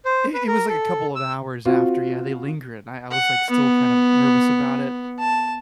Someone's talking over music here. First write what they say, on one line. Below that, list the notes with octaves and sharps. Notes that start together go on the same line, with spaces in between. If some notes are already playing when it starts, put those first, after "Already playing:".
It it was like a couple of hours after, yeah, they linger, and I I was, like, still kind of nervous about it.
C5
B4
A#4
A4
E6
C4 F4 F#4
F#5
B3
A5